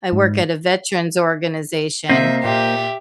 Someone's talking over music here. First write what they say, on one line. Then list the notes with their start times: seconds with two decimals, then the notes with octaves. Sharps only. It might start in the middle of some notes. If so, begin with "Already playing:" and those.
work at a veterans organization,
0.12 G#2
2.09 C3 A#3 C5 D#5 E5
2.44 A#2 G4 E5